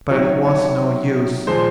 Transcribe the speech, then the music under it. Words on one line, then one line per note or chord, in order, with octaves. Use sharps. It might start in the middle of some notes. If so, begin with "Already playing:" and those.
But it was no use.
C3 D#3 F#3 C#5
C#5
A#2 F3 G#3 C5